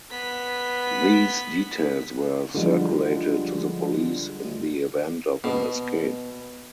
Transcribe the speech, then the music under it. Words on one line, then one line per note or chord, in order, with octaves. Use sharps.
These details were circulated to the police in the event of an escape.
B3 B6
D3 E3 F3 G3 G#3
B2